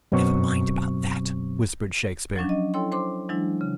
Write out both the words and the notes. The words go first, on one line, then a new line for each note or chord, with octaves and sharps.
"Never mind about that," whispered Shakespeare.
F#2 B2 F#3 C4 C#6
F3 F#3 C#4 D4
D#5
E4 A4 C#5 G5 C6
C5 C6 D6
E3 F#3 G#3 D4 E4
C#3